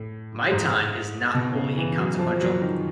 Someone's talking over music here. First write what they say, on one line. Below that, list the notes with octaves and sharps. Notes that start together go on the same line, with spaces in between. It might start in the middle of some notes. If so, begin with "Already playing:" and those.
My time is not wholly inconsequential.
Already playing: A2
G#2
B2
C#3
E3
F#3
F3
F#3
D#3